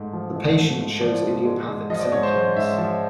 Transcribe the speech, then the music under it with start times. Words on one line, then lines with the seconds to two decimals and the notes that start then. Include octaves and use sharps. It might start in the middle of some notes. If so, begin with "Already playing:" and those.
The patient shows idiopathic symptoms.
Already playing: G#2 A3
0.13 F3
0.35 G#2
0.57 A3
0.79 G#2
1.01 F3 D5
1.23 G#2
1.45 G#3
1.68 G#2
1.89 F3 D#5
2.00 D5
2.12 G#2 C#5
2.23 C5
2.34 G#3
2.56 G#2 E5
2.78 F3